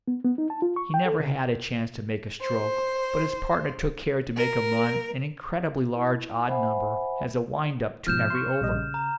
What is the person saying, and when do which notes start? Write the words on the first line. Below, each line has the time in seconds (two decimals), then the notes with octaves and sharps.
He never had a chance to make a stroke, but his partner took care to make him run an incredibly large odd number as a wind up to every over.
0.08 B3
0.25 B3
0.38 D#4
0.50 A5
0.62 F4
0.76 C#6
0.94 G5
1.05 A4
1.20 C#3
2.41 C5
4.36 A#4
5.95 E4
6.48 C5 E5 F#5 G#5 B5
8.07 G#2 B2 F3 F6 G6 E7
8.30 C6 C#6
8.61 A#1 G3 D#5
8.75 C#3
8.94 A#5